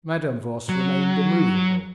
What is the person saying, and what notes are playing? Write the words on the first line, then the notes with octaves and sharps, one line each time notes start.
Madame Voss remained immovable.
F#3